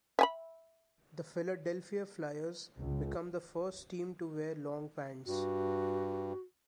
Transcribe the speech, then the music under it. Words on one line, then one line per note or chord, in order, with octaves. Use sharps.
The Philadelphia Flyers become the first team to wear long pants.
E5 G#5 B5
C#2
G2 F#4